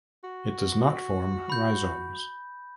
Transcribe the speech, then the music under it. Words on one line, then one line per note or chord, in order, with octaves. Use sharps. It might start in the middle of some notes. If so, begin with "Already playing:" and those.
It does not form rhizomes.
F#4
B5 G6